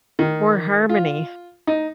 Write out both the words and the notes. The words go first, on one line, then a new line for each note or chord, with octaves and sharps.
more harmony.
D#3
F4
D#4